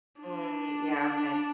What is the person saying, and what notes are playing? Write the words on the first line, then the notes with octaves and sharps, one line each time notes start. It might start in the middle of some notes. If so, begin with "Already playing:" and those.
Mm, yeah, okay.
D4